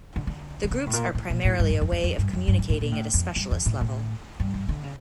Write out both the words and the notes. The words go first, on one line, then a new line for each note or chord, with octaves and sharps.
The groups are primarily a way of communicating at a specialist level.
D3
D3
D3
C#3
A2
A#2
A2
A#2
A2
G2
G2
F2
F2
F2
G2
F2
G2
G2
A2
A#2
A2
F2
G2
F2
A2
A2
G2
G2
D3
C#3